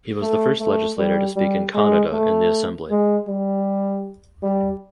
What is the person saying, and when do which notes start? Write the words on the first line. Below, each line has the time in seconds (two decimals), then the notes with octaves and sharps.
He was the first legislator to speak in Kannada in the assembly.
0.22 A3
0.60 A3
0.98 G3
1.36 G3
1.75 G#3
2.13 A3
2.90 G#3
3.28 G3
4.43 G3